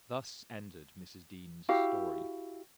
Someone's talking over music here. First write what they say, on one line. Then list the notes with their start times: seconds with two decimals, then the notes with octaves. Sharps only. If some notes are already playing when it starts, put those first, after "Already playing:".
Thus ended Mrs. Dean's story.
1.69 E4 F#4 G4 F5